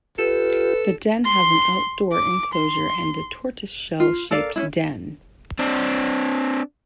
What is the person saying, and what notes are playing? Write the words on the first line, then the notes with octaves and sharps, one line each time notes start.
The den has an outdoor enclosure and a tortoise shell-shaped den.
F4 G4 A4 B4
C6
D6
C6
F4
A4 A#4 D5 F5
C#4 D4 E4
C4 D4